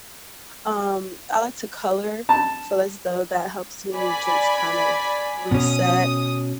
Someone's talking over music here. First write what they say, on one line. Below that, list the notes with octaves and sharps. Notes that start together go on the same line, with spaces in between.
Um, I like to color, feel as though that helps me just kind of reset.
A5
D5 G#5 B5
B2 C#4 D#6